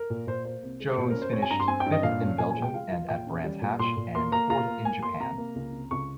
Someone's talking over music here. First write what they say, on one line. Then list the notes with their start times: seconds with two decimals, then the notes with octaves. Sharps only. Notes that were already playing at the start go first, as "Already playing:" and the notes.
Jones finished fifth in Belgium and at Brands Hatch, and fourth in Japan.
Already playing: A#4
0.10 A#2
0.27 A#2 C5
0.45 A#3 C5
0.63 C2
0.80 G#3
0.97 A#2 C5
1.10 C#4 A#4
1.22 C5
1.33 C4 C#5
1.42 G#5
1.50 G2 A#5
1.60 C6
1.68 C4 G#5
1.80 G5
1.86 G2
1.92 D#5
2.03 A#2 F5
2.21 C#4
2.38 A#2 G#5
2.50 G#5
2.57 G#3
2.62 G5
2.74 F4 F5
2.91 F4
3.09 A#2 G5
3.27 C#4
3.44 G3
3.62 A#2
3.79 A#2 C6
3.97 A#2
4.15 A#3 C6
4.32 A#3 A#5
4.50 F4 A#5
4.68 A#3
4.85 A#3 G#5
5.03 A#3 C6
5.20 C3 A#5
5.38 A#3
5.55 C#2
5.73 C3
5.91 C#2 C#6